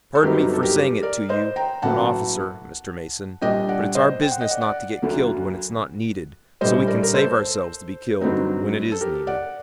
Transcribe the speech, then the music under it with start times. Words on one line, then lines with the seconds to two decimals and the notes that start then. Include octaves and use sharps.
"Pardon me for saying it to you, an officer, Mr. Mason, but it's our business not to get killed when it's not needed, so we can save ourselves to be killed when it is needed."
0.15 A4
0.23 G1 G2 F#3 C4 D#4 G4 A#4
0.53 A4
0.63 G4 A#4
1.03 A#4 D5
1.29 C5 D#5
1.56 G5 A#5
1.82 A1 A2 F#3 A#3 F#5 A5
3.42 A#1 A#2 G3 D4 D#5 G5
3.69 D5 F#5
3.95 C5 D#5
4.22 G5
4.31 F#5
4.41 D#5
4.51 D5 F#5
4.61 D5 F#5
5.02 D2 D3 F#3 A#3
6.61 A#1 A2 G3 C5 D#5
6.88 A#4 D5
7.03 A#4
7.14 A4 C5
8.21 G2 D3 F#3 C4 D#4
8.92 A4
9.01 G4 A#4
9.27 D5 F#5